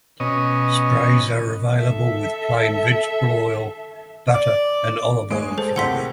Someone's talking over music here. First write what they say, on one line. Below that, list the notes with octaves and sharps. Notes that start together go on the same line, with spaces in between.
Sprays are available with plain vegetable oil, butter and olive oil flavor.
B2 C#4 D#5
A4 E5
D5
G#3 C#5 D#6 D7
G#4 A4 C5
D#2 A2 C3 F#5 C6 B6